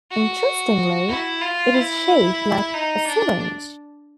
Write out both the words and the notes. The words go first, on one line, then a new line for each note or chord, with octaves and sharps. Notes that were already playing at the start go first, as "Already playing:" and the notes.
Interestingly, it is shaped like a syringe.
F#4
E4
F4
E4
D#4
D4